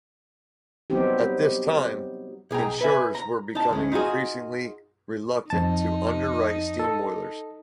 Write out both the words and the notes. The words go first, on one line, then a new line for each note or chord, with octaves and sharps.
At this time insurers were becoming increasingly reluctant to underwrite steam boilers.
F#3 G3 B3 C4 D#4 G4
B1 G#4 G5 A#5
B4 E5 G#5
A#5
D#4 A5
D2 G#3 C#4
D#4 F4 F#4 G#4
F2 D#4 A5
A4